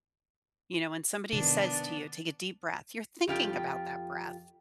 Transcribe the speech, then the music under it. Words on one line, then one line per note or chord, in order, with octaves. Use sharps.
You know, when somebody says to you, "Take a deep breath," you're thinking about that breath,
C3 D#3 B3 D4
F2 F4 G4 G5